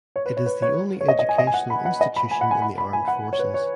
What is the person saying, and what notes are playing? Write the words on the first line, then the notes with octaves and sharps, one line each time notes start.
It is the only educational institution in the armed forces.
C#5
B4
C#5
B4
C#5
C#5
D#5
D#5
G#5
D#5
G#5
F#5
B5
F#5
D#5
B5
G#5
F#5
G#5
B5
B5
G#5
F#5
C#5
B4
C#5